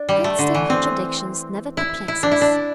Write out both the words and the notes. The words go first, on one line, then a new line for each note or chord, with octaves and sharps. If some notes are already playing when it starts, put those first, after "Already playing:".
Hence their contradictions never perplex us.
Already playing: D4
G3
A3
D3
E3
C4
E4
E4
D4
E4
D4